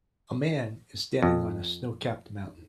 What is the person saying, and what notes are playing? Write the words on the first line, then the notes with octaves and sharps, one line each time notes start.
A man is standing on a snowcapped mountain.
F2